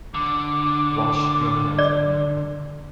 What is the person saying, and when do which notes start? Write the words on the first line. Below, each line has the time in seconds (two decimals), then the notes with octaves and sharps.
Wash your hands of me.
0.14 D3 D6
1.78 D5